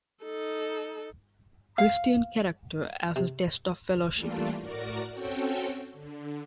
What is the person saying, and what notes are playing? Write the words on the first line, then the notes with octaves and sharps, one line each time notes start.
Christian character as a test of fellowship.
D#4 A4
F5
C3
E3 G3 A3 A#3 D4 F4
A2 F#4 A#4 D5 A#6
C4 C#4 F#4 A4 C#5 G5
D3